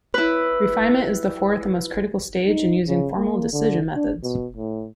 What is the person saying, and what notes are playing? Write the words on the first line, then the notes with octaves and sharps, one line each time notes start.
Refinement is the fourth and most critical stage in using formal decision methods.
E4 B4
D#4
C#3
A#3
D3
D4
B2
A2